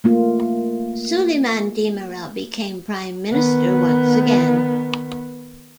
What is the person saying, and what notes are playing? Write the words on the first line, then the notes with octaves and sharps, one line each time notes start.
Suleyman Demirel became prime minister once again.
A3 A#3 F4
D#3 B3